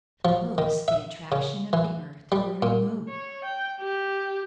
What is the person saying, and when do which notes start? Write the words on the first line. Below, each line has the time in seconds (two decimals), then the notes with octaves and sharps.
Suppose the attraction of the earth were removed?
0.25 F3
0.58 D#3
0.88 E5
1.32 C#3
1.73 E3
2.32 G3
2.62 A#2
3.09 C#5
3.45 G5
3.81 G4